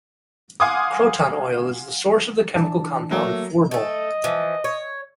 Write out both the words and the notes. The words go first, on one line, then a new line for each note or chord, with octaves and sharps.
Croton oil is the source of the chemical compound phorbol.
F5 F#5 G#5 C6 D6 D#6
E3 D4 A5
F#3 A3 A#3 A#4
A3 A4 D#5
E3 F3
C#5